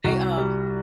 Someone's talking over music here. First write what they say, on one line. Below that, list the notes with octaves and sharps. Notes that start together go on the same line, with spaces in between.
They are.
C2 F#4
G3